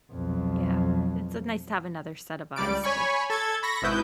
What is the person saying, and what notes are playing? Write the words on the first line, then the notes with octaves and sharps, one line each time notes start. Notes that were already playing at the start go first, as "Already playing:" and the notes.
Yeah, it's a nice to have another set of eyes, too,
B1 F2
C#2 G3 D5 D7
C#5 G#5 B5 C#6
A4 G#6 A6
B5 C#6 A#6
G#1 G#2 B2 E4 B4 G6